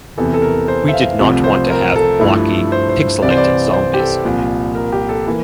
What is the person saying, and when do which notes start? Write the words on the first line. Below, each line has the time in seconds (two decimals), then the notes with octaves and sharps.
We did not want to have blocky, pixelated zombies.
0.18 E2 C3 E3 A4
0.34 A4
0.42 A#4
0.68 C5
0.88 E5
0.94 F5
1.19 C2 C3 F3 A3
1.44 C5
1.70 A#4
1.96 A4
2.21 G2 F3 A3 E4
2.72 C5
2.89 C5
3.22 C2 C3 E3 D5
3.31 C5
3.38 D5
3.73 C5
3.94 G4
3.99 A4
4.24 C2 A#2 F3
4.75 A#4
4.92 G4
5.09 A4
5.27 E3 A#3